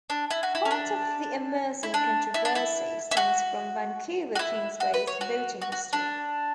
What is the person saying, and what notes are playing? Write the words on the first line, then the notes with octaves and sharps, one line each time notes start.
Part of the Emerson controversy stems from Vancouver Kingsway's voting history.
D4
E4
F#4
E4
C#4
D4
E4
D4
E4
D4
E4
E4
F#4
F#4
E4
F#4
B4
C#5
F#4
F#4
F#4
D4